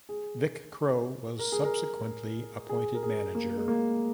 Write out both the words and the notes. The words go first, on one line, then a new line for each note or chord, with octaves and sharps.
Vic Crowe was subsequently appointed manager.
G#4
A#4
G#4
A#4
G#4
A#4
G#4
A#3
G#3
A#3